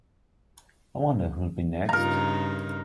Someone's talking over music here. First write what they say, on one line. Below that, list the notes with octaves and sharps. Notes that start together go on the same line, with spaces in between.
I wonder who'll be next?
G2 C#3 D#4 A#4 A#5